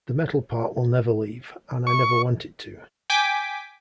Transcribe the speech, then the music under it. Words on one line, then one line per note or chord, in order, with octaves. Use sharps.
The metal part will never leave, and I never want it to.
C#6
G5 G#5 D6 B6